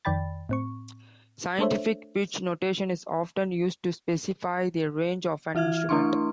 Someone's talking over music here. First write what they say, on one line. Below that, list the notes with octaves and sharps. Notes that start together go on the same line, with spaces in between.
Scientific pitch notation is often used to specify the range of an instrument.
F2 D#3 D5 G5 B5 A6
A2 C4 C#6
A3 D4 A4 C5 C#5 E5
E3 E4 E5 F6 G#6
A3 D4 E4 C6 C#6